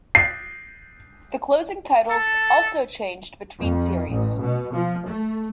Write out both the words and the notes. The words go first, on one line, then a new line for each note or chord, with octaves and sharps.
The closing titles also changed between series.
C7
A4
F2
A1
B2
F3
A3